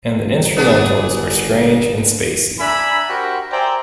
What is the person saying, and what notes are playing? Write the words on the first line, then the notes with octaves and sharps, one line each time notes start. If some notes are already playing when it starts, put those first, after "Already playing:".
And the instrumentals are strange and spacey.
G1
B3 D4 G#4
D4 E5 G#5 A#5 B5
F#4 G4 A#4 C5 F#5 G5
C5 D5 E5 G5 G#5 A#5